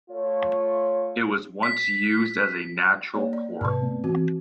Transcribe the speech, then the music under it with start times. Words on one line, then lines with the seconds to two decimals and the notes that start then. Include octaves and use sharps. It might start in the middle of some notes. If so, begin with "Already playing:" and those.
It was once used as a natural port.
0.11 A3 F4 C#5
1.63 B6
3.14 A#3 C#5 D5
3.33 D5
3.61 G#2 C3 B4 D5 A5
3.82 A3 B3 C4
4.04 E3 C4 F#4